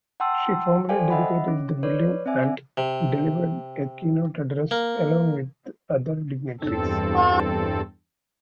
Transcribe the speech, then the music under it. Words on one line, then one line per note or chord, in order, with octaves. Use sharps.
She formally dedicated the building and delivered a keynote address along with other dignitaries.
F#5 G5 A5 C6 E6
A4 C5 D5 F5 G5 G#5
D#5 E5 F#5 B5
C#4
B4 C#5 D5
C4 D5 E5 G#5
C3
A#3
E2 G2 C4 A4